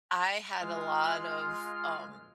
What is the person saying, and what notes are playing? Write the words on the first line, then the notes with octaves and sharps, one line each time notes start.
I had a lot of, um
G#3 F4 F6